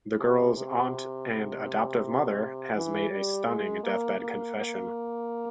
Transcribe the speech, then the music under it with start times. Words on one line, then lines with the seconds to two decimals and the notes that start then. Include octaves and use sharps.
The girl's aunt-and adoptive mother-has made a stunning deathbed confession.
0.20 C3
0.56 C3
1.29 C3
2.75 E3
3.10 G3
3.47 G#3
3.84 A#3
4.20 A#3
4.56 A#3